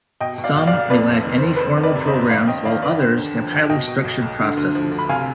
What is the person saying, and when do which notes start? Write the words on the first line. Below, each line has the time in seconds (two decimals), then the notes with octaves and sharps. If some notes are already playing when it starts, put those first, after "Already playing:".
Some may lack any formal programs while others have highly structured processes.
0.20 B2 D#5 G5
0.38 B2
0.44 D5 F5
0.56 B1
0.67 D5 F5
0.73 B1
0.90 F2 B4 D5
1.08 F1
1.25 D#3
1.37 C5
1.43 F1
1.56 B4
1.60 F2 C5
1.77 D#3
1.83 B4 D5
1.95 C3
2.07 C5 D#5
2.13 G1
2.30 F2 D5 F5
2.48 G1 D#5 G5
2.65 D#3 D5 F5
2.82 G1 B4 D5
3.00 D3 C5
3.17 D#2
3.35 F3
3.53 D#2
3.70 B2 D#5 G5
3.88 B2
4.04 B1
4.22 B1
4.40 D3
4.57 D2
4.75 F3
4.92 D2
4.99 B5
5.09 C3 F5 G#5